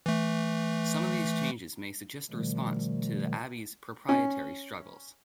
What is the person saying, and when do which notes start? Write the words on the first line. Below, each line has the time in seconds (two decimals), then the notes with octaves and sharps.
Some of these changes may suggest a response to the abbey's proprietary struggles.
0.06 E3 A3
2.30 B2 D#3 F3 G3 A3
4.09 C#4